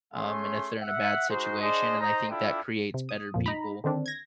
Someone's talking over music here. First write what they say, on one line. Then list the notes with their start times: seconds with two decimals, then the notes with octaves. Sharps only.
um, and if they're in a bad situation and I think that creates better people
0.14 A3 C#4 G#4 G#5 C6
0.81 E5 F#5
1.29 G#3 D#4 F#4 C5
1.60 D4 G#4 C5 D#5
2.00 D#4 C5 D#5 A#5
2.29 D4 E4 F4 G4 A4
2.94 C3
3.09 D#6
3.34 F2 A#2 F3
3.46 D#4 A#5 B5
3.84 D3 D#3 C4 D4
4.06 G#6 A#6